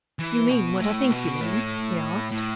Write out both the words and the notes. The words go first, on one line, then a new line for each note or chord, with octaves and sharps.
"You mean what I think you mean?" he asked.
E3
B2
A2
B2
A2
A2